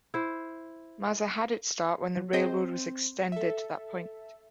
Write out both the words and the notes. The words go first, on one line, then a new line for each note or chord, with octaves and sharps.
Maza had its start when the railroad was extended to that point.
E4 C5
F#3
C4 G#4 C5 D#5 G5
A4 E5